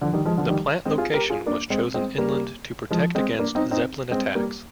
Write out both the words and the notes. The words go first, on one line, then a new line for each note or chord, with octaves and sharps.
The plant location was chosen inland to protect against Zeppelin attacks.
D3 F3
D#3 G3
F3 G#3
D3 F3
D#3 G3
G#3 C4
F4 G#4
G4 A#4
F4 G#4
A#3 D4
G#3 C4
G#3 C4
G3 A#3
F3 G#3
G#3 C4
A#3 D4
C4 D#4
C4 D#4
G#3 C4
G3 A#3